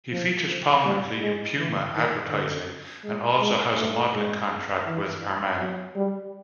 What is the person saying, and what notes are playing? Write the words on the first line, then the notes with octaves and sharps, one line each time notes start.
He features prominently in Puma advertising and also has a modeling contract with Armani.
F3
F3
G3
G#3
E3
D#3
D3
G#3
G#3
A3
G#3
E3
F#3
G3